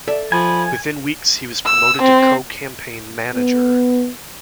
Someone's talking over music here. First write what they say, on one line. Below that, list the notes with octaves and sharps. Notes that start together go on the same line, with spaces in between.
Within weeks he was promoted to co-campaign manager.
A4 D5 E5
F3 G#5 B5
E6
C4
B3